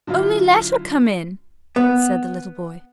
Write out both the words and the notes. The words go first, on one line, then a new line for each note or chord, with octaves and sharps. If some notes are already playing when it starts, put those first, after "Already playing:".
"Only let her come in!" said the little boy.
D3 F#3 E4 F4
B3